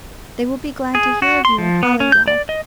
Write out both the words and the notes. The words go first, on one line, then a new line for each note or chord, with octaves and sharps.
They will be glad to hear of you at Hollywell.
G#4
F#4
C6
F3
B3
C#4
G6
D5
D#5